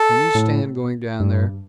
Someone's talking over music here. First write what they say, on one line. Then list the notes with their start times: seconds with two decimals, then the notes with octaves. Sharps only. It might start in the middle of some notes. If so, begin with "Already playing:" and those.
Can you stand going down there?
Already playing: A4
0.35 A2
1.20 G2